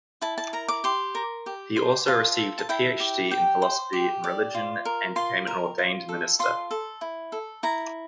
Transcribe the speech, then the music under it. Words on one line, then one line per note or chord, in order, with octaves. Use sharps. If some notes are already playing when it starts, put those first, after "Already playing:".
He also received a Ph.D. in philosophy in religion and became an ordained minister.
E4 A5
A5
A#4 A#5
D6
G4 C6
A#4
G4
C5
F4 A5
A4
A5
E4 G5
G4
G4 G5
C5
G4
D5
F4
A#4
F4 C6
A#4
F4
A4
F4 C6
A4
E4
A4
E4 A#5